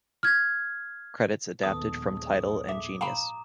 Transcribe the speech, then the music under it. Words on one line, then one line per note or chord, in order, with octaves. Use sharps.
Credits adapted from Tidal and Genius.
F6 G#6
A#1 D#2 G#2 B3 A4 D#6
E5 D6
F5 G5 A#5 B5